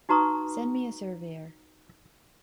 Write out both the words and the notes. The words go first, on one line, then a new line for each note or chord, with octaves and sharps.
Send me a surveyor.
D#4 F#4 B4 A#5 C#6 D#6